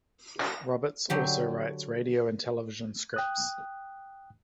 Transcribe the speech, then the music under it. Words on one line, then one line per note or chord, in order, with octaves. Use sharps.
Roberts also writes radio and television scripts.
D3 F#3 G4
G5 D#6 F#6